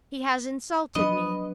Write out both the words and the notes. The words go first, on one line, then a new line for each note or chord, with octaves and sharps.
He has insulted me.
F3 F#3 B3 D4 D#5